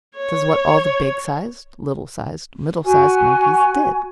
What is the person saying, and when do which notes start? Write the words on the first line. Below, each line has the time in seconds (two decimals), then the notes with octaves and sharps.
This is what all the big-sized, little-sized, middle-sized monkeys did.
0.17 C#5
2.85 F#4 G#5